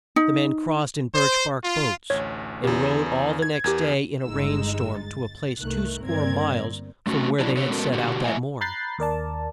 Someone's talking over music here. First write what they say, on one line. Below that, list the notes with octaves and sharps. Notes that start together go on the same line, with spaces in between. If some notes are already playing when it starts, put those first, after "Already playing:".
The men crossed in birch-bark boats, and rode all the next day in a rain storm to a place two-score miles from where they had set out that morn.
D#4
C5
F4
A1 D2 C#5
E2 C#3 G4
G#6
E2 G4 A#4 G#6
G1 G#3 D#4 E6
A6
C2 G2 D#3 A3 F#6
G1 A#3 C4 A#4 D5 G#6
A3 C#4 F#4
F#3 D4 E4
D3 G4 C#5
G#3 B3 C#4 F#4 A4 A#4
B2 D3 F#4 G4
A3 E4 D#5 E5 F#5 G#5
A#5 B5 F#6 G6 A6 C7
D#2 A#4 D5 A5